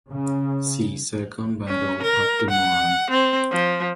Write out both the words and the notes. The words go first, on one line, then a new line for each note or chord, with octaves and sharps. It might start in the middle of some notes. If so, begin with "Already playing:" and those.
See Second Battle of the Marne.
C#3
C#4
A#4
F#5
C4
F3